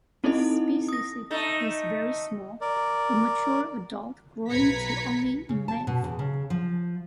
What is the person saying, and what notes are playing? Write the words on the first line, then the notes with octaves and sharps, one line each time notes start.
This species is very small, a mature adult growing to only in length.
C4 D#4 E4 A4 D#5
D#6 A#6
A3 D#4
A#4 D5
B1 B4 A#5 G#6 B6 C#7
C#3
A5
B2
E2
C#3
F3